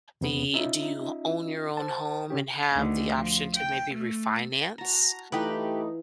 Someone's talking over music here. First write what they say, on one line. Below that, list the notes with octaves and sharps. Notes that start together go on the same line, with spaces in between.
the do you own your own home and have the option to maybe refinance?
E2 C3 B3
C#4 D#4 F4 D#5 E5
C5 A5
C#3 C#4 G4
D2 D#3
F3
G5
A3
F#4 A5 A#5
E3 A3 D#4 F4 G4 B4